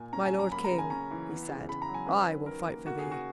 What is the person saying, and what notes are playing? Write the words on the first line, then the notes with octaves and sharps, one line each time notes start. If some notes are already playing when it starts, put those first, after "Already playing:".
"My Lord King," he said, "I will fight for thee."
Already playing: A#2 A#3 G#5
C#4 A#5
G#5
F#3
A#5
A#3 B5
A#5
C#3
G#5
C#4 A#5
E3
B3
C#3
C#3 B5
A#5
F#3
G#5
C#4 B4
D#3
D#3 A#4
A#3
A#3 F#4
G#4
C#3
F#4